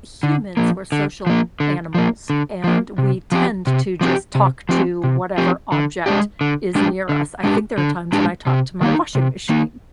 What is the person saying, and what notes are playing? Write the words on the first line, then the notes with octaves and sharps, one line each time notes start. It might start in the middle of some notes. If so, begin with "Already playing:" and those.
humans, we're social animals, and, we tend to just talk to whatever object is near us. I think there are times when I talk to my washing machine,
D3
F3 A#3
D3
F3 A#3
D3
F3 A#3
D3
F3 A#3
C3
F3 C4 G4
C3
F3 C4 G4
C3
F3 C4 G4
C3
F3 C4 G4
D3
G#3 D4 G4
D3
G#3 D4 G4
D3
G#3 D4 G4
D3
G#3 D4 G4
C3
D#3 A#3 D#4
C3
D#3 A#3 D#4